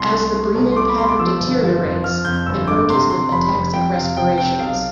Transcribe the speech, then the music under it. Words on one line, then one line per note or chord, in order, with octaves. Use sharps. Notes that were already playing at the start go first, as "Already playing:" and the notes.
As the breathing pattern deteriorates, it merges with ataxic respirations.
Already playing: C2 C6
A3
A3
C2
C6
A3 D6
B5
B2 C6
D6
F3 E6
G1
F3
F2
F3 F6
F2 G6
G1 E6
D3 D6
C3 C6
C3 C6
F1 B5
F1
F2 G5
C3 F5
F1 G5
C3 G5
B1 F5